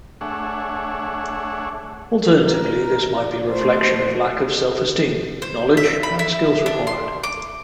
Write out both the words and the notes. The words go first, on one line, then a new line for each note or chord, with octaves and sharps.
Alternatively this might be a reflection of lack of self-esteem, knowledge and skills required.
A3 D4 G#4 C#5 E5 F#5
A#4
A3 C5
C5
E5
B5
E4
D4
C6
D6